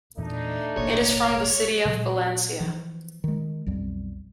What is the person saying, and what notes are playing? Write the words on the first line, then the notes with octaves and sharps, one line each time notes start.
It is from the city of Valencia.
E2 A#2 E3 A3 D4 D#4
E1 A1 B2 A#3 C#5
A#2 C#3 F#3 G#3
E3 F3
D#3 G#3
B1 F2 G3